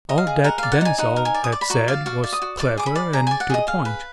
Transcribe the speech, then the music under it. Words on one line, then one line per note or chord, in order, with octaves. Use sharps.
All that Denisov had said was clever and to the point.
D#5
F5
G#4
A#4 F#5
D5 F5
F#5
D#4 G#5
D#4 F#5
A#4
G#5
D5
D#6
D5 D6
B5
F#4 A#5
D5 F5
F#4 F5
D5
D#6
F#4
D5 D6
G#4 D6
B5
D5
G#4 A#5
D5 G#5
F#5
G#4 D#5
G#4 F5
B4